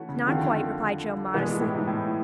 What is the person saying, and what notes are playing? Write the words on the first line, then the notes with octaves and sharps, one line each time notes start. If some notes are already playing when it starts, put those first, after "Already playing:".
"Not quite," replied Jo modestly.
Already playing: E3 A3 C#4 F#4 B4
C#3
F2 D3 D#3 F3
G2 B2 E3 G#3 B3
A#2
A2
G#2
A2